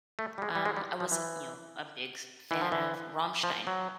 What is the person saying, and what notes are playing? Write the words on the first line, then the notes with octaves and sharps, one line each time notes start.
um, I was, you know, a big f fan of Rammstein.
A3
G3
G#3
G3
G#3
G3
F3
E3
E3
F3
E3
F3
F#3